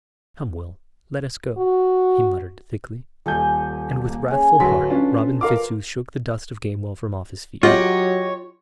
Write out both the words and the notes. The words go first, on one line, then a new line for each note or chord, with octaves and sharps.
"Come, Will; let us go," he muttered, thickly: and with wrathful heart Robin Fitzooth shook the dust of Gamewell from off his feet.
F#4
D#1 A4 G#5 G6
A#3
C#4 G#4
D1 F#3 A4 B4 C6 B6
C#4 D4 F4
F4 A#4 F5 D6
F#3 F4 G4 C#5 D#5 F#5